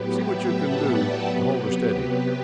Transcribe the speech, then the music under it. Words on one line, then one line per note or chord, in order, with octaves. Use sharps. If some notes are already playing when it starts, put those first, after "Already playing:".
See what you can do to hold her steady.
Already playing: A2 F#3 B3 G4 B4
E5 G5
F#5 A5
D5 F#5
C3 F#3 B3 G4 B4
G4
G4